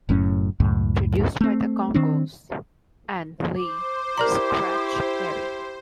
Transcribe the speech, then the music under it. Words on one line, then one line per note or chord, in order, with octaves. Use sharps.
Produced by The Congos and Lee "Scratch" Perry.
F#1 F#2 A2 C#4
C#2 F#2 A2
A3 C4
D#3 C4 D4
C5 D6
E4 G4 A#4 D5 A#5